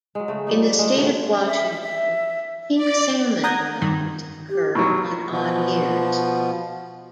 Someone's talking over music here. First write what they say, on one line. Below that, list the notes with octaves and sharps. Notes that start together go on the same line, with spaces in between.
In the state of Washington, Pink salmon runs occur on odd years.
F#3 G#3
C#3 A3
F3 G3 A#3 D#4
D5
G#3 A3
B2 D3 D#3 F3
E5
E5
D5
F#5 A#5 D#6 G6 G#6 A#6
G2 D#3
G4
B2 D#3 F#3 C#6
B2 F3